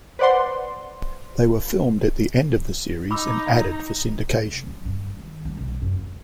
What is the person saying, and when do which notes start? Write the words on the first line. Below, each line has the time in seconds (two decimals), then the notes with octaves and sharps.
They were filmed at the end of the series and added for syndication.
0.19 B4 C5 D5 F#5 C6
3.11 D#4 A#5 B5 D6 E6
4.47 C3
4.67 F#3
4.85 G2
5.17 D#3
5.45 G3
5.57 B1
5.82 F#2
5.96 D2